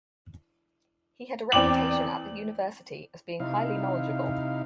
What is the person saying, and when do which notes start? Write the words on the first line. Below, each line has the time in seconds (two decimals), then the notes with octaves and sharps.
He had a reputation at the University as being highly knowledgeable.
1.52 E2 C4 D5 G5 D6 F#7
3.40 C3 D#4 E4 F5